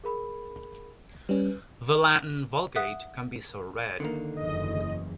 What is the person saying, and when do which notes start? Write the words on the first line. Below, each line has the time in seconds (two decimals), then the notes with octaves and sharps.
The Latin Vulgate can be so read.
0.04 G#4 A#4 B5
1.29 G3 C#4 B4
2.76 E5 F#5 D#6 F#6
4.00 D3 D#3 A#3
4.36 F#1 E2 D#5